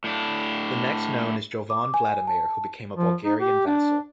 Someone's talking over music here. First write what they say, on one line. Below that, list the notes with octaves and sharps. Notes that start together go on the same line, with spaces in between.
The next known is Jovan Vladimir, who became a Bulgarian vassal.
A2 D4
D6
G#5
A5
F3
D#4
G4
D4